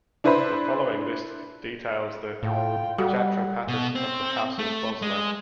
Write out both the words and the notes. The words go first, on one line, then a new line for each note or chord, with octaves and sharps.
The following list details the Chhatrapatis of the House of Bhosle.
D4 E4 B4 C5 E5 B5
A2 F4 G5
G3 F#4 G4 A4 F#5
B2
C4
A3
G#3